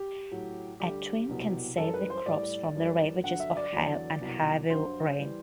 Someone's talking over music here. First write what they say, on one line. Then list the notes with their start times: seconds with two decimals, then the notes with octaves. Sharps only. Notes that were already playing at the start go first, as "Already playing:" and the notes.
A twin can save the crops from the ravages of hail and heavy rain.
Already playing: G4
0.31 A2 F#3
0.80 D2 D3 G3 G4
1.29 C2 B2 F#3
1.77 F#2 E3 G3 A4
1.94 B4
2.10 C5
2.26 A2 G3 D5
2.75 F#2 E3 G3
3.23 G2 D3 F#3 F#5
3.40 E5
3.57 D5
3.72 E2 D3 F#3
4.21 C2 B2 F#3
4.70 G2 F#3 C5
5.19 E3 G3